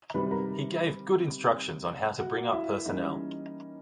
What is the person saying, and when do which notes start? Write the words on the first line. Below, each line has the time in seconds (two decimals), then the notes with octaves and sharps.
He gave good instructions on how to bring up personnel.
0.14 C3 D#3 G3 B4 B5
0.31 A#4 A#5
2.19 F#4 F#5
2.43 F5
2.53 E4 E5
2.86 E3 G3 A#3 C#4 D#4 D#5